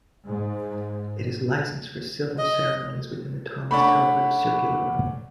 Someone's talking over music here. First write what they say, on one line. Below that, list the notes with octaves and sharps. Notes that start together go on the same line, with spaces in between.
It is licensed for Civil Ceremonies within the Thomas Telford Circular Room.
G#2
D#5
A3 C#4 D4 F#5 B5 C#6